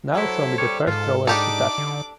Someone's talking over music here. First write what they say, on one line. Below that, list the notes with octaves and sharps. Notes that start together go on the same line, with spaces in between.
Now show me the first drawer she touched.
F#3 E4 A4 C5
G3 C#5
G#2 F4 A4
D4 D#4 G4 A4 D5 D6
D3